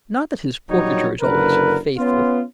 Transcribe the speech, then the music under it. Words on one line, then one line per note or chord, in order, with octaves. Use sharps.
Not that his portraiture is always faithful.
A#1 F#3 G3 D#4 C#5
F#1 D3 A#4 B4
B3 C#4 F4